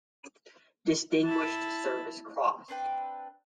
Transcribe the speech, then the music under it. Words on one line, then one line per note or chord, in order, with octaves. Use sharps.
Distinguished Service Cross.
E4 A5
C4 D4 B4 G5